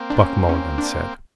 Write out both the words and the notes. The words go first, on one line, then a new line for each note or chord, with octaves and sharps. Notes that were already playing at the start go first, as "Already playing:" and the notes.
Buck Mulligan said.
Already playing: A#3 C4
D4
C#4
C#4
D4